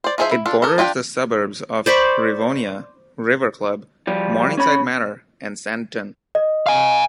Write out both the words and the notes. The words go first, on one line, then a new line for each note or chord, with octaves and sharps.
It borders the suburbs of Rivonia, Riverclub, Morningside Manor and Sandton.
C5 D5
F3 D#4 G#4 C5 E5
E4
D4 F4 A4
A4 A#4
D4 F4 G4 G5
C5 D5 B5 C#6
F3 G3
C#4 C#5 B5
D#5
F5 G#5